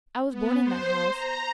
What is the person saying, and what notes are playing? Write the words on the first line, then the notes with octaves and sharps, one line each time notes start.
I was born in that house.
B3
C5
A#5